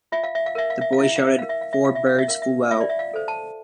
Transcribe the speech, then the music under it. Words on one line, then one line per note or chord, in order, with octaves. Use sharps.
The boy shouted; four birds flew out.
F4 E5
F5
E5
F5
A#4 E5
F5
E5
F5
E4 E5
F5
E5
A#4 F5
E5
F5
E5
F4 F5
E5
F5
E5
A#4 F5
E5
F4 E5
D5
E5
F5
A4 C5
A5